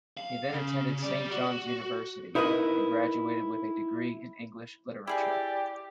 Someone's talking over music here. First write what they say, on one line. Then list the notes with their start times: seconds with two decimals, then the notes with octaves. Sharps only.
He then attended Saint John's University, and graduated with a degree in English literature.
0.17 F5
0.53 C#3
1.03 G3 D5
1.31 F#4
2.35 D#4 E4 A#4 B4 D#5
5.07 E4 G4 G#4 D5 G#5